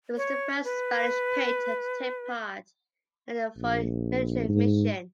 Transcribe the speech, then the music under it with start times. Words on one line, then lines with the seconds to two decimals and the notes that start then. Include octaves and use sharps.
He was the first Spanish painter to take part in a foreign military mission.
0.17 C#5
0.64 B4
3.58 A#1
4.49 G#2